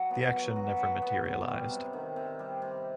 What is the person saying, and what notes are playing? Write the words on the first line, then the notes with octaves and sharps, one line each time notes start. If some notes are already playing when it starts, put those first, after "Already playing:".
The action never materialized.
Already playing: F#3 F#4
B3
F#3
F#4
F#3
B3
F#3
G3
C3
D#3
C3
G3
C3